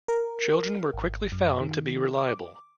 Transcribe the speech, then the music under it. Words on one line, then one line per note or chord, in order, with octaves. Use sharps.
Children were quickly found to be reliable.
A#4
G#1
F#2
D#3
D6